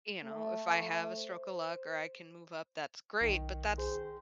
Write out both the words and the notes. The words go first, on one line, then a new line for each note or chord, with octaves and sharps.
eh you know, if I have a stroke of luck or I can move up, that's great, but that's uh,
A3
C5
B1 D#3
G#4 C5